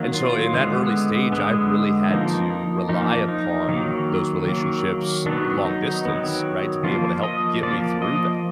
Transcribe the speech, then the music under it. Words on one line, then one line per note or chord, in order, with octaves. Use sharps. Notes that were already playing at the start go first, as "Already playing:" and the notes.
and so in that early stage, I really had to rely upon those relationships long distance, right, to be able to help get me through that
Already playing: D#3 F#3 A#3
F4
D3 G#3 B3
D3 G#3 B3
F3 A#3 D#4
D#4
F3 A#3 D#4
D#4
D#3 F#3 A#3
D#3 F#3 A#3
D#3 F#3 B3 D4
D#4
D#3 F#3 B3
F3 A#3 F4
D#5
F3 A#3 D5
D#5